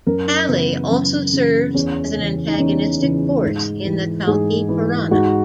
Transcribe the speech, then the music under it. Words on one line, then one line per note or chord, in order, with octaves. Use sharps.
Kali also serves as an antagonistic force in the Kalki Purana.
F#2 A#4
C#3 E3 B3
F#2
C#3 E3
E2 C#4
C#3 E3
D#4
E2 C#4
C#3 E3
G#2
E3
G#2 G#4
E3
G#2 F#4